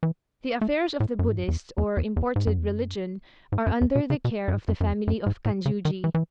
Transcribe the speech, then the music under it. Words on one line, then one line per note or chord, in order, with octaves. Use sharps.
The affairs of the Buddhist or imported religion are under the care of the family of Kanjuji.
E3
A3
A2
F#2
G#2
F#2
E2
E2
E2
E2
G#2
F#2
E2
F#2
G#2
F#2
E2
B2
C#3
B2
F#2
G#2
F#2
F#2
E2
F#2
G#2
A2
C#3
D#3
E3
E3